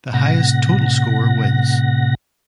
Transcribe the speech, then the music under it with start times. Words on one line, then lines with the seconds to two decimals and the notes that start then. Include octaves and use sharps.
The highest total score wins.
0.14 A2 C3 F#5 A#6